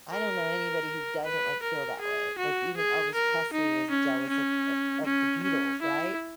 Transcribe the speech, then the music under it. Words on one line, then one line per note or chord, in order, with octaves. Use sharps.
I I don't know anybody who doesn't, like, feel that way. Like, even Elvis Presley was jealous of, uh, of the Beatles, right?
A#4
B4
A#4
G#4
F#4
G#4
A#4
D#4
C#4
C#4
C#4
C#4
E4